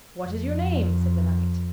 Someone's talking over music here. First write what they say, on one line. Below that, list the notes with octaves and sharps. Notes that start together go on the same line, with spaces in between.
What is your name? said the knight.
F2